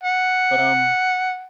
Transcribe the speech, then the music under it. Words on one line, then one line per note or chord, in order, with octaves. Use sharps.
But, um,
F#5